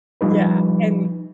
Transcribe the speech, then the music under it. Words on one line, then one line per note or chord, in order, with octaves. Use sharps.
Yeah, and
F3 G3 D#4 B4